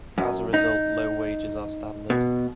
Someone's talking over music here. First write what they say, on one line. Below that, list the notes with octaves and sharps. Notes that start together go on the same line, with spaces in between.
As a result, low wages are standard.
F#2
D#4
B2